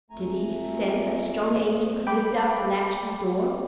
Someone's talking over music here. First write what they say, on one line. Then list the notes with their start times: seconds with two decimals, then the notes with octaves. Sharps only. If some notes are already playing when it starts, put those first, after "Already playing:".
Did he send a strong angel to lift up the latch of the door?
0.10 F2 A3 G#5 A#5
2.07 G5 B5 D6